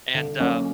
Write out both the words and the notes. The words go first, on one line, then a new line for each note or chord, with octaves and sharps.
and, um
D3
F#3 A#3 C#4